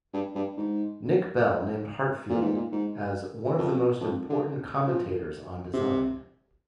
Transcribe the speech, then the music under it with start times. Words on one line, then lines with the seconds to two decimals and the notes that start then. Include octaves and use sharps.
Nick Bell named Heartfield as "one of the most important commentators on design".
0.13 G2
0.35 G2
0.57 G#2
2.30 A#2
2.42 G#2
2.56 A#2
2.72 G#2
3.59 F2
4.01 F2
4.30 D3
4.87 F3
5.73 C3